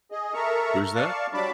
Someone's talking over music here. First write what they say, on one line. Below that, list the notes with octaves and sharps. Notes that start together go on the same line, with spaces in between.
Who's that?
G#4 D#5
A4 A#4 E5 A#5 C#6
D5 F5 A5 C#6
F#3 G3 D4 A5 B5 D6